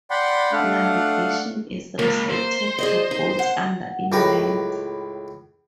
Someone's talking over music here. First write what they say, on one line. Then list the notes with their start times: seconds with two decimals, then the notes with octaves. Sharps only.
Navigation is restricted to boats under in length.
0.11 D5 F#5 G5 B5 C6
0.52 A3 D4 F5 F#5
1.99 C#2 A#3
2.31 C5
2.79 G#4 D5 D#5
3.11 D#4
3.39 F#5
4.12 C#2 A2 G4 B4 A#5